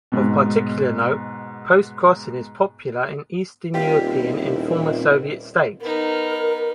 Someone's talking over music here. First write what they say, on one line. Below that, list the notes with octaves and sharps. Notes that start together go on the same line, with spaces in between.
Of particular note, postcrossing is popular in eastern European and former-Soviet states.
G#2 B2
D#1 A#2 C4 E4 F4 G4 D5
B3 D#4 A#4